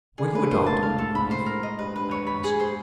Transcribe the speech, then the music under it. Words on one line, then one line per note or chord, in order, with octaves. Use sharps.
"Were you a doctor when alive?" I asked.
D3 D4 G#4
C#3 C#4 B4
A#3 C5
A3 A5
G#3
A2 A3 F5
A4
G#2 G#3 B5
C5
A#4
D#5
G2 G3 B4
B4
C#5
B5
G#4
C5